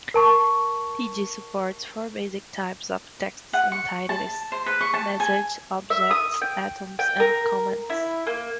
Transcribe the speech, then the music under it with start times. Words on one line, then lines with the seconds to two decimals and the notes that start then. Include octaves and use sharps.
Pd supports four basic types of text entities: messages, objects, atoms, and comments.
0.14 A#4 A5 C#6
3.53 F#5
3.72 C#6
4.09 A5
4.52 C5
4.66 B4
4.81 C#6
4.94 A5
5.20 G#5
5.90 E5
6.11 D#6
6.42 G5
6.99 G5
7.20 A#4
7.90 E4
8.27 A#3